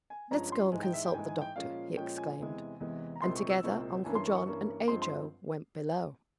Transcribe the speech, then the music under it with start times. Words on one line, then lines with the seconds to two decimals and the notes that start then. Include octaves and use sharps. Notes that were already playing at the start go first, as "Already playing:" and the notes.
"Let's go and consult the doctor," he exclaimed, and together Uncle John and Ajo went below.
0.10 G#5
0.31 G2 F3 G#3 C#4 A#5
0.52 C6
0.72 G#2 E3 G#3 G#5
0.83 G5
0.93 E5
1.05 G5
1.14 G#2 E3 G#3 G#5
1.29 G#5
1.41 G5
1.56 A#2 F3 G#3 C#4 F5
1.97 A#2 F3 G#3 C#4 G5
2.18 G#5
2.39 E2 C3 E3 G#3
2.80 E2 C3 E3 G#3
3.16 A#5
3.22 C2 A#2 G#3 C4 C6
3.36 C#6
3.50 E6
3.63 C2 A#2 G#3 C4 C#6
4.04 G2 E3 A#3 C#4 G#5
4.15 C6
4.26 C#6
4.36 C#6
4.46 G2 E3 A#3 C#4 C#6
4.88 G2 F3 G#3 C4 C6
5.02 C6